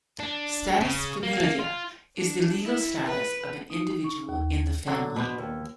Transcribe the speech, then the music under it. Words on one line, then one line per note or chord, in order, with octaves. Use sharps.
"Status familiae" is the legal status of an individual in the family.
D4
C#3
A#3
F4
D4
E4
B4
D#4
C#6
D#2
D3 F#3 D4
B2 D4 B4 C5
D#2